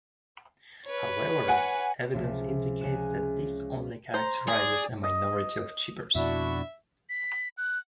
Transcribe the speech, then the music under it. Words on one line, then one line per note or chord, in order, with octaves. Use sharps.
However, evidence indicates that this only characterizes a minority of chippers.
B4 C#5
F#5 G#5
C#2 C3 F3 E5
C#2 G#5 F#6 E7
C5 A#5
G#4 D5
D#5
F2 B2 D4 E4 F#4 E5
B6
F#6